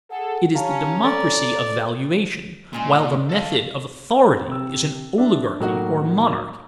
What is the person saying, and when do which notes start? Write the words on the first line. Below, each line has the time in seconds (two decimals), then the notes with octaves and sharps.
It is the democracy of valuation, while the method of authority is an oligarchy or monarchy.
0.11 G#4 A4 F#5
0.55 C#4 G4 F5 A5 A#5
1.04 A4 D5
2.73 A#2 G#3 C#4 F4
2.99 D#5
3.29 A4 F5
4.47 C3 E6
5.18 D4 E5
5.60 A2 F#3 A#3 D#4 F#4